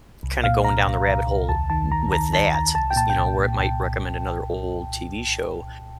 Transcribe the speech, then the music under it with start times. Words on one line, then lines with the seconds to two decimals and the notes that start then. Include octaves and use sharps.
kinda going down the rabbit hole w with that, is you know, where it might recommend another old TV show,
0.23 C2
0.44 A#2 F5
0.64 C2 A#5
0.86 C2
1.08 C2
1.28 C2
1.49 D#2 A5
1.70 D#3 A5
1.91 D#3 A#5
2.12 D#3 A#5
2.33 D#3 A5
2.54 D#2 A#5
2.75 C2 A5
2.90 G5
2.96 A#2 A5
3.10 G5
3.18 C2 A5
3.39 A#2
3.60 C2